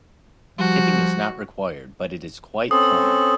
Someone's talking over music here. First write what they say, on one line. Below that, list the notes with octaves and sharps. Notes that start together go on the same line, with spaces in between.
Tipping is not required, but is quite common.
F3 G3 F#4
C4 C#4 A4 D#6